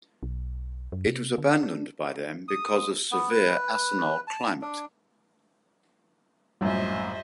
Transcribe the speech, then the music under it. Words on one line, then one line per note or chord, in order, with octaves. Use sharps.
It was abandoned by them because of severe Asansol climate.
B1
F#2
C3
D3
D4
D#6
B3
B4
A5
D4
A#1 F#2 A2 G3 C5 D#5 E5